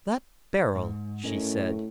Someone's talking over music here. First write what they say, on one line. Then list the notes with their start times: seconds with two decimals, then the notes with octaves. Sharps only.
'That barrel!' she said.
0.75 G#2
1.24 A2 C#4 A#4 D#5